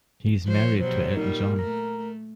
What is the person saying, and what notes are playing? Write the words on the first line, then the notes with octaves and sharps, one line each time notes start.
He is married to Elton John.
F3 C5 C#5
B2 F#3 G3 C5
A#2 G3 D#4 A#4
A3 A#5